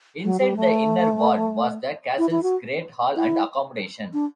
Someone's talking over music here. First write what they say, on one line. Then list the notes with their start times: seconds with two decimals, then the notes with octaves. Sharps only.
Inside the inner ward was the castle's Great Hall and accommodation.
0.24 F#3
0.40 G3
0.56 A3
2.18 E4
2.31 E4
2.43 F#4
3.16 E4
4.13 D4